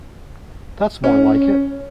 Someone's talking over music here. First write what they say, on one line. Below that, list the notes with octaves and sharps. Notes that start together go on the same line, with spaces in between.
That's more like it.
C#4